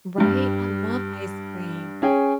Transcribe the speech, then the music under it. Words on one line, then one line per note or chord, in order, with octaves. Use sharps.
Right, I love ice cream,
G2 G3
C#4 G#4 G5